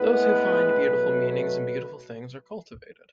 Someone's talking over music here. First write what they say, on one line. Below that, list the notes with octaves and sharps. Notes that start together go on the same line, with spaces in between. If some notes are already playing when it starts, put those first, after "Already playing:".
Those who find beautiful meanings in beautiful things are the cultivated.
Already playing: A2 G#3 B3 B4
B2 F#3 A3
B4